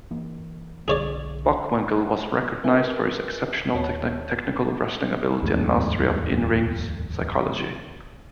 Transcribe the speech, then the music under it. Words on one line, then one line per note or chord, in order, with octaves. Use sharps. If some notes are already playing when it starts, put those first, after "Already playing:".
Bockwinkel was recognised for his exceptional technical wrestling ability and mastery of in-ring psychology.
E3 A#3
B1 D3 D4 G#4 C#5 D5
A#4 B4 E5 G#5
D#2 C#5 A5
D1 E2 G#2 A3